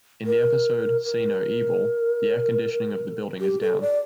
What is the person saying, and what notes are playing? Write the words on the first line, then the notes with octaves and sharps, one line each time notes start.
In the episode "See No Evil", the air conditioning of the building is down.
A#4
A#4
G4
A4
D5